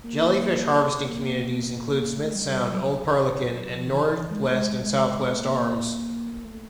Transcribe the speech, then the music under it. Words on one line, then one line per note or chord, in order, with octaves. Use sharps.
Jellyfish harvesting communities include Smith Sound, Old Perlican, and Northwest and Southwest Arms.
A#3
A#3
A3
G3
G3
F#3
F3
D#3
E3
G#3
A3
G#3
G3
G#3
A#3
A#3
A3